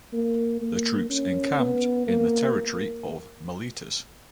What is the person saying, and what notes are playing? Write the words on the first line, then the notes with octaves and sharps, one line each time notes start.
The troops encamped in the territory of Miletus.
A#3
A#3
C#4
B3
A#3